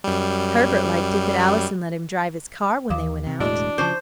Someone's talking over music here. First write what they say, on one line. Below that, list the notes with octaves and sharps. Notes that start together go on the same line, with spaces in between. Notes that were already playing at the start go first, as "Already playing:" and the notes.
Herbert liked it that Allison let him drive his car when they went out.
F#2 G3
D#2 E3 F5 D6
C3
E1 A2 G#3 D4 E4 F#4 D#5
C#3 E3 F3 C5 A5 C#6 D6